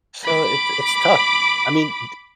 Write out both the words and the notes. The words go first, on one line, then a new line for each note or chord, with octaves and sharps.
So it's it's tough. I mean, d
B5 D6